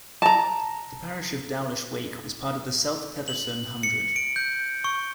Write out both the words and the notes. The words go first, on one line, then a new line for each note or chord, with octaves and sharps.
The parish of Dowlish Wake was part of the South Petherton Hundred.
A5 A#5
F#7
C#7
D7
G6
C#6